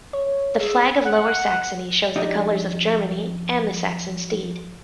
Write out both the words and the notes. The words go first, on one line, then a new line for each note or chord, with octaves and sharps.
The flag of Lower Saxony shows the colors of Germany and the Saxon Steed.
C#5
G#4 E6
F#5
F2 D4 D#4 G4 D5 D#5